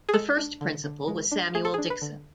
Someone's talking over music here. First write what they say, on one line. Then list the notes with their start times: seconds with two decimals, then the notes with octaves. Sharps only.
The first Principal was Samuel Dixon.
0.09 G#4
0.13 G#3 A4
0.37 D4
0.61 D3
0.84 D3
1.08 G#3
1.32 D4
1.54 A3 G#4
1.65 A4
1.74 D4 G#4
1.90 B4
2.02 D3